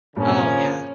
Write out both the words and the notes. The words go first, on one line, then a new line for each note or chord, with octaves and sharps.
Oh, yeah.
G2 A#2 C#3 F3 A#3 C#4
C3